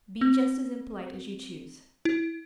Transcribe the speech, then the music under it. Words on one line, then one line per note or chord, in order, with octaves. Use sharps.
Be just as impolite as you choose.
C4
E4